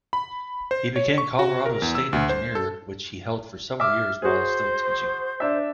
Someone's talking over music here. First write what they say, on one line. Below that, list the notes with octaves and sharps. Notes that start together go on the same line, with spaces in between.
He became Colorado's State Engineer which he held for several years while still teaching.
B5
C5
C#5
C#6
F#4
A#4
E2
E6
D2
C5
A4
E5 D6 F6
F#4 G#4 C5
D4 E5